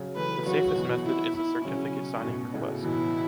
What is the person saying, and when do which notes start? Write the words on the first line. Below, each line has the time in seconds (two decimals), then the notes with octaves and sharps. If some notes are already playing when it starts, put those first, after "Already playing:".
The safest method is a Certificate Signing Request.
Already playing: C#3 F#3
0.16 E3 A3 B4
0.46 C#3 F#3 F#4
0.76 B2 E3
1.05 E4
1.36 E4
1.65 C#3 F#3 C#4
2.18 A2
2.24 B2
2.54 A2 C#3
2.83 B2 E3 E4